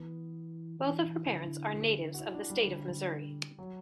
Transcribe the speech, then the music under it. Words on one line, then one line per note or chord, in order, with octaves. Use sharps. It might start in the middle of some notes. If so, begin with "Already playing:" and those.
Both of her parents are natives of the state of Missouri.
Already playing: E3 B3
E3
D3 E4
F#4
E4
D4
G3
D3
F#3